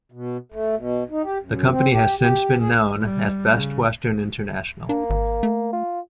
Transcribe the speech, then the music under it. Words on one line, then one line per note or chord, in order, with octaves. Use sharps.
The company has since been known as Best Western International.
B2
A3
B2
D#4
G4
F#2
C4
G4
G4
G#4
G3
C#3
A#3 D4
G#1
A3
F4